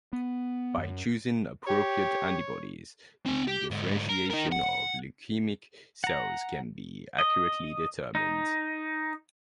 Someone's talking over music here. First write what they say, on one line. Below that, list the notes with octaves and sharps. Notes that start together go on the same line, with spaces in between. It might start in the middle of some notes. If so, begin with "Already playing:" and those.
By choosing appropriate antibodies, the differentiation of leukemic cells can be accurately determined.
B3
F#2
G4 C#5
C4 G#5
G4
G#2 D3
A#4
D#4 A#4
F#5
F#5 A#5
D#5
D#4